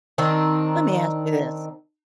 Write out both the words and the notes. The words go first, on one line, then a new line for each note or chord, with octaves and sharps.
Let me ask you this
D#3 C4 D4 D#4